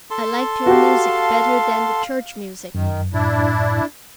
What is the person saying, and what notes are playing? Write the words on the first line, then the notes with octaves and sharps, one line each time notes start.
I liked your music better than the church music.
A4 A5 C6
F#4 G4 F5
F#2 D#3
A2 D4 E4